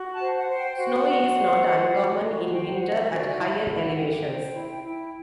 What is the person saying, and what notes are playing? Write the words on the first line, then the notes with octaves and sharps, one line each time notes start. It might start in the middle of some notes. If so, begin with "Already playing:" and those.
Snow is not uncommon in winter at higher elevations.
Already playing: F#4
A5
C5
F#5
C5
G5
F#4 F#5
G5
F#5
F#4
C5
C5
F#4
F#4
C5 G5
F#5
C5
E5
F#4
D5
E4 E5
E4 F#5
G4 G5
C5
E4
E4